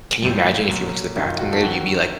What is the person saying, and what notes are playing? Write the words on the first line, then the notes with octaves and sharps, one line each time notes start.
can you imagine if you went to the bathroom there, you'd be, like,
A1 A2 F3
C2 A#2 F#3
F#1 F2 C3 D#3 F#3 D#4
F4
F#4
A4
F2 D#3 F#3 F#4